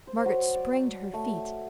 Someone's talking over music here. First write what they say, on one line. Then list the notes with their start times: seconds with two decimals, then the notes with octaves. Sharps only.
Margaret sprang to her feet.
0.07 C5
0.26 F#3
0.55 D5
1.13 A3